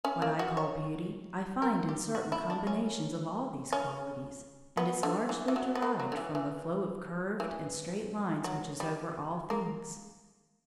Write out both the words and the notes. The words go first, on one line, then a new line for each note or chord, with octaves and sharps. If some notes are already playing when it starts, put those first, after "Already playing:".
What I call beauty I find in certain combinations of all these qualities, and is largely derived from the flow of curved and straight lines which is over all things.
C#4
A#3
F#4
C#5
A#4
G4
F#4
E4
D4
C#4
C#4
B3
D3
E3
E3
F#3
B3
A#3
F#3
D3
E3
E3
E3
F#3
G3
A#3